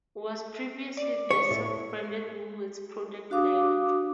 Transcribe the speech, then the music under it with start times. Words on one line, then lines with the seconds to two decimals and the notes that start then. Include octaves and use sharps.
Was previously the self-branded "Woolworths" product line.
0.97 D5
1.31 C#5
1.51 A2
3.30 D4 F#4 F5 D6 D#6